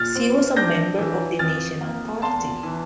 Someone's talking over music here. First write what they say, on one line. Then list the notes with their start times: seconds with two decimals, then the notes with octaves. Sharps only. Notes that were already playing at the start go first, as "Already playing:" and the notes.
She was a member of the National Party.
Already playing: A#2 F6 A6
0.15 C4
0.56 D4 G6 A#6
0.99 E3
1.39 F2 F6 A6
1.81 A#3
2.22 E2 A5 C6
2.63 E3